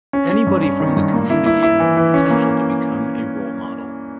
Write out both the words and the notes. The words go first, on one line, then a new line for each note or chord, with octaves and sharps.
Anybody from the community has the potential to become a role model.
C#4
C#4
G2
C#4
D#3
G2
A#3
E4
E4
E4
E3
E3
C#4
A#3